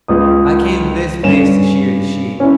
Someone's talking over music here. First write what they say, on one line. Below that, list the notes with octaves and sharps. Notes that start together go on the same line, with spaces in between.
I came to this place to shear the sheep.
C#2 D#6
G2 C#4 E7
C#4 E4